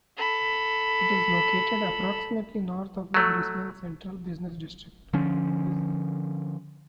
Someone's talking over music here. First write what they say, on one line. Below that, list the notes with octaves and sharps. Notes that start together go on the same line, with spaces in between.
It is located approximately north of the Brisbane central business district.
A4 B5
F#3 A3
D3 F3 C#4